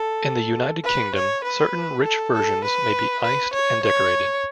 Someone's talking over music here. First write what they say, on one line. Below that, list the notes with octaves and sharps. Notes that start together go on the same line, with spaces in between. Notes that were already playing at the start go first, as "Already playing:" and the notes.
In the United Kingdom, certain rich versions may be iced and decorated.
Already playing: A4
B4
C#5
B4
A4
A4
B4
B4
C#5
C#5